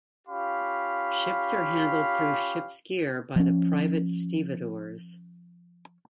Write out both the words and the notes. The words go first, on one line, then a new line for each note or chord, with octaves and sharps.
Ships are handled through ship's gear by the private stevedores.
C#4 F4 G4 F5 B5
F3 C#4